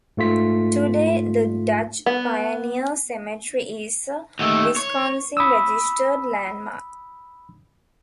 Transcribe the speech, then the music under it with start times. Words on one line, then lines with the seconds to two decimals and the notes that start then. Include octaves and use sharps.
Today the Dutch Pioneer Cemetery is a Wisconsin registered landmark.
0.17 G#2 A3 F4 B6
2.06 B3
4.39 D#2 A3
4.76 C#5
5.37 B5 D#6 E6